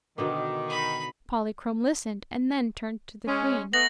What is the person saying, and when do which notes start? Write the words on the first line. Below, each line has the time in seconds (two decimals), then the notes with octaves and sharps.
Polychrome listened and then turned to the Queen.
0.18 B2 D3 D#3 B3 D6
0.68 D#4 B5
3.27 G#3 C#4
3.73 A3 B3 A#6 F#7